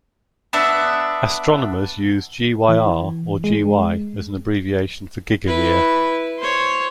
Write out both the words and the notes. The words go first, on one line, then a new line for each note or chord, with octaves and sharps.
Astronomers use Gyr or Gy as an abbreviation for gigayear.
B3 D4 E5
E3
G#3
E4 B4
C5 C#5